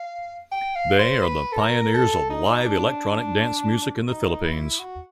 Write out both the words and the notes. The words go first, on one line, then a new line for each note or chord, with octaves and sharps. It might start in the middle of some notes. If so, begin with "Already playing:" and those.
They are the pioneers of live electronic dance music in the Philippines.
Already playing: F5
G5
F5
C5
B4
A4
A#4
A4
D#4
D4
D#4
E4
F#4